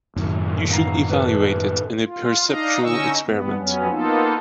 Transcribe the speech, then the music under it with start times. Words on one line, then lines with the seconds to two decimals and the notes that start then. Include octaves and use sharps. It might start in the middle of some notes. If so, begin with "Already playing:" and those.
You should evaluate it in a perceptual experiment.
0.16 F#2 A2 D#3
0.49 A#2
0.69 B3 F5 A#5
1.10 G4 A4 B4
2.04 F4
2.49 D4 D#4 D#5 F5 A#5
2.83 D3 C#4 D#4 D#5 C#6 E6
3.25 G2 B3
3.57 F2 F#3 B3 C#4
3.89 A#3 B3 D#4 F4 A4